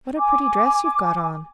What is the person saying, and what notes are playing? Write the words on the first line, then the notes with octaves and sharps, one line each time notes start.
"What a pretty dress you've got on!"
G#5 D6